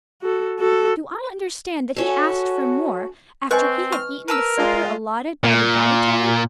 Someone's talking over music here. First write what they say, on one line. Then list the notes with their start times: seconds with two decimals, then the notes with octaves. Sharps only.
Do I understand that he asked for more, after he had eaten the supper allotted by the dietary?'
0.22 F#4 A4
0.60 F#4 A4
1.96 C#4 F#4 A4
3.51 C4 B4 D#5 G#5 C#6 F#6 G6
3.92 C#6 F6
4.28 A#4 B4 A5 E6
4.58 G#3 F4 D5
5.44 A#2